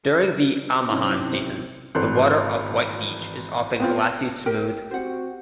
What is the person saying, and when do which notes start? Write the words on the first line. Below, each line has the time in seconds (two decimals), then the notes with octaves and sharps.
During the Amihan season, the water off White Beach is often glassy-smooth.
0.90 C3 F#3 C4 C#4 D#4 E4
1.95 G#1 E3 A4 C6 F#6
3.80 B3 C4 F4
4.46 G4 A#4 G5
4.91 C4 F#4 G4 C5 F#5